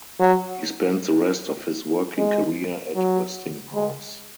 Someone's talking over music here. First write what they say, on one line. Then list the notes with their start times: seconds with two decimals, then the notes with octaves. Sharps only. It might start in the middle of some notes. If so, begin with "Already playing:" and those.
He spent the rest of his working career at Westinghouse.
0.21 F#3
2.17 G#3
2.96 F#3
3.75 G#3